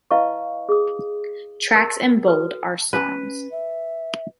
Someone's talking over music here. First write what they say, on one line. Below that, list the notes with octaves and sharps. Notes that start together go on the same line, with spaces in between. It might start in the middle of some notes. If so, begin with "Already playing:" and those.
Tracks in bold are songs.
E4 B4 D#5 F5 A5 C#6
G#4 D#6
A#4
F#4 A4 B4
C#4 B4
E5